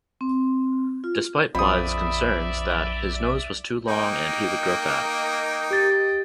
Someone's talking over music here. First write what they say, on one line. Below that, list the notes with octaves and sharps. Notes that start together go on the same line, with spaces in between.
Despite Blythe's concerns that 'his nose was too long and he would grow fat'.
C4
F4
A#1 F2 D5 E5 B5 D#6
A#3 D#4 D#5 G5
G4 A6